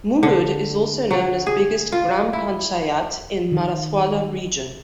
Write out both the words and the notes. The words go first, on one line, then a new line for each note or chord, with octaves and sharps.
Murud is also known as biggest "Gram Panchayat" in "Marathwada" region.
D3
F#3
G#4
F4
E4
D#3